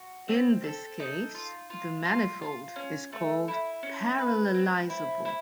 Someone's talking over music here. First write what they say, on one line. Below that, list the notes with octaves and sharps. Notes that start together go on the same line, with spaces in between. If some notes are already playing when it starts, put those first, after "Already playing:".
In this case, the manifold is called parallelizable.
Already playing: F#4
C4
A4
D#4
F4
F4
F4
F4
C#4
A3
E4
C#4
B4
C4
E4
E4